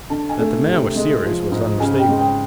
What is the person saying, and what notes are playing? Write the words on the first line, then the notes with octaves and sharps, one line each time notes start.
That the man was serious was unmistakable.
D3 A5
G#5
A3
C3
G#3
F3
G#2
C#3 G#5
G5
G#3
G5